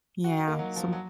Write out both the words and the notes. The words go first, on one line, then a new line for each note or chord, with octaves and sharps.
yeah, so
F#4
D#4
A#3
F#3
F3
F#3